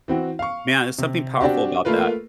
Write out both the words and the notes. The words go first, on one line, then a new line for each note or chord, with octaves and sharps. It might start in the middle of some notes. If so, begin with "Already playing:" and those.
man, there's something powerful about that.
E3 C4 F#4
F5 C#6
C3
C4 D4 F#4 G4
A3 A#3 F4 A#4 B4